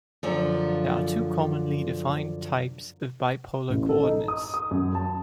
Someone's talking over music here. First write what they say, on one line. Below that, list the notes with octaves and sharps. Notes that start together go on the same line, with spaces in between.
There are two commonly defined types of bipolar coordinates.
F#2 D3 F3
A1
A4
D#4
D#6
D#6
F#2
A5